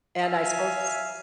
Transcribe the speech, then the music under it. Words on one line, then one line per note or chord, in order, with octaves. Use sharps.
and I suppose
E5 F5 G#5